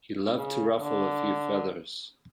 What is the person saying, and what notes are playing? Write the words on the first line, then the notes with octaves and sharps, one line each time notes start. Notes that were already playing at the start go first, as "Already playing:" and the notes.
He loved to ruffle a few feathers.
C#3
D3